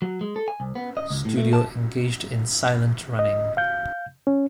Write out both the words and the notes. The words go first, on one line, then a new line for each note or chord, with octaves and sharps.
Studio engaged in 'silent running.
F#3
G#3
A4
G#5
C2
B3
D#5
C#2
A2
A3
A5
D#5
F5 G6
C#4